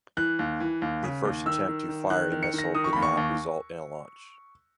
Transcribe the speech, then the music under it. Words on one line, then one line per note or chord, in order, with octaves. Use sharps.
The first attempt to fire a missile did not result in a launch.
E3 F#6
D#2
E3
D#2
C#3
D#2
D#3 E6
D#3
D#3
D#3 F#6
D#3
C#7
D#3
A#6
D#3 D#6
C#6
D#2 B5
C#6
D#2